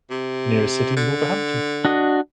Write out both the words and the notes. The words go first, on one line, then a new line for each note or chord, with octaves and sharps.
The nearest city is Wolverhampton.
C3
D3
D4 F#4 D#5